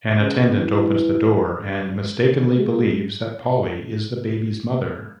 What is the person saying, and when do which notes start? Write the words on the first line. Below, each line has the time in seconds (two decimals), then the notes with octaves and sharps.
An attendant opens the door and mistakenly believes that Polly is the baby's mother.
0.20 C#3
0.59 E3
2.57 G#3